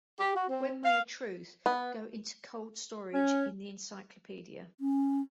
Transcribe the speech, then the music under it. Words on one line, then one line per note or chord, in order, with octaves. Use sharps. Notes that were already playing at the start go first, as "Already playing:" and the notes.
When may a truth go into cold-storage in the encyclopedia?
G4
F#4
C4
F5
B3
C#4
C#4